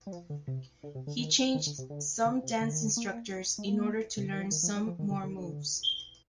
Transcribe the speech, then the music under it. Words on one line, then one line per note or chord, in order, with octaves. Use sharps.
He changed some dance instructors in order to learn some more moves.
G3
F3
D3
C3
D3
C3
D3
D#3
D#3
D3
C3
D3
D3
C3
D3
D#3
D3
A#3
G#3
A#3
C3
D3
D#3
F3
D#3
F3
G3
F3
D#3
D3
D3
D#3
D3